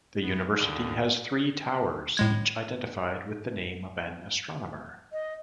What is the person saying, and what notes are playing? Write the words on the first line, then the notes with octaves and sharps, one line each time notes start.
The university has three towers, each identified with the name of an astronomer.
B3
D#2 D3
A2 G#3 G#6
D#5